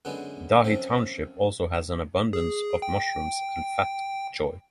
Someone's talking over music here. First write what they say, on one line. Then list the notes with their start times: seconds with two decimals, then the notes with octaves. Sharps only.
Dahe Township also has an abundance of mushrooms and fat choy.
0.05 F#2 D3 G#3 B3
0.64 F#2 F3 C4
2.33 G#4
2.82 G5